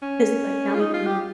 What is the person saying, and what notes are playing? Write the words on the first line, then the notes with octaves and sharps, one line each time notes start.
'cause, like, now we do
C#4
F4
D#4
F4
G4